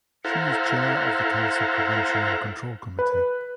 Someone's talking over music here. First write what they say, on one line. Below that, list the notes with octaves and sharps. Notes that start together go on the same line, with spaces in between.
She is Chair of the Cancer Prevention and Control Committee.
E4 A4 C5 F5 F#5 A#5
B4